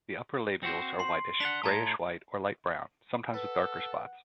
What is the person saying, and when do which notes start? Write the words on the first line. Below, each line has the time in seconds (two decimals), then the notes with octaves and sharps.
The upper labials are whitish, greyish-white or light brown, sometimes with darker spots.
0.63 C4 F#4 C5
1.00 C6 C7
1.40 D4 F#5 B6 F7 G7
1.63 A2 A5 A#5 G#6
3.34 A4 B4 F#5